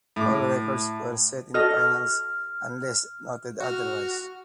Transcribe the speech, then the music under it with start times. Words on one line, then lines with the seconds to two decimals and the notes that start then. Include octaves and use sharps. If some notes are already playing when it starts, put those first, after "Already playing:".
All records were set in finals unless noted otherwise.
0.16 A2 D6
1.54 F#4 A4 D#5 F6
3.60 F#4 F6